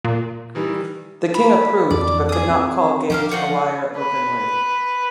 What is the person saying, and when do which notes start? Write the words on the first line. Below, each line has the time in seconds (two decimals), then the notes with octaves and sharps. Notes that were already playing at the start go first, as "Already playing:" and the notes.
The king approved, but could not call Gage a liar openly.
0.05 A#2
0.55 D#3 E3 G3
1.34 B5
1.91 F2 E3 D5
2.29 G#4 D#6
2.50 C4
3.10 F3 G4 A#4 F5
3.31 D#4 F4 F#4
3.97 B4